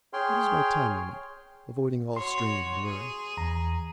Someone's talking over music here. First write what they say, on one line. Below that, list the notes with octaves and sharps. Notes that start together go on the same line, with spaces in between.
What is my time-limit, avoiding all strain and worry?'
G#4 C#5 G5 C6 F6
F#4 C#5 C6
G#4
E2 A#5